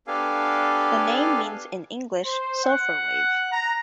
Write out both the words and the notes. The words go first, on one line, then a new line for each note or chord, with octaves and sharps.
The name means in English: "sulphur wave".
B3 D4 G4 A4 F5 G#5
C5
F#5
A#5